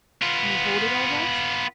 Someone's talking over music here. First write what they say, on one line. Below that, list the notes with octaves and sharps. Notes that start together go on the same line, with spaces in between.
"Can you hold it all right?"
B3 F4